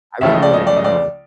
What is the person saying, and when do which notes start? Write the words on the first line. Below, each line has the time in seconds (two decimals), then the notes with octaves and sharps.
I really wanna know,
0.21 C#2 C#3 F3 A3 E5
0.33 D#5
0.42 D5
0.53 D#5
0.67 D5
0.76 D#5
0.84 D5